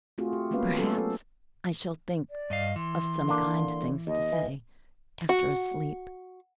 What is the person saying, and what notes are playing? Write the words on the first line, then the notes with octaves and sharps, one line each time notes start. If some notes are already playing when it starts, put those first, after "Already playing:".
Perhaps I shall think of some kind things to say--after a sleep.
A3 C4 F4 F#4 G#4
G4
G#3 A#3 B3 C#4 B4 F5
B3
F#3 B3 C#4 A4
A3 A4
D5
G2 D#5 F5
E3 C6
D3 A#3 D4
D#2 D#5
E3
F#4